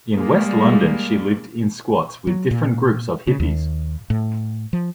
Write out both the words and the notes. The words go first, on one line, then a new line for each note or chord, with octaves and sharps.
In West London she lived in squats with different groups of hippies.
G3 G#3 A#3
F#3
A#2
C#3
D#2
A2
F3